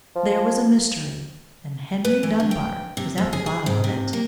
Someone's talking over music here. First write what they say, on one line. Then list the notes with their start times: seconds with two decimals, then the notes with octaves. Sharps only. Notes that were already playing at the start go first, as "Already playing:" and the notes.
There was a mystery, and Henry Dunbar was at the bottom of it.
0.16 F3
2.05 B4
2.23 E3
2.40 D3
2.51 G5
2.97 C3
3.18 F2
3.33 G#4
3.46 G#4
3.66 G#2
3.84 C3
4.13 A#3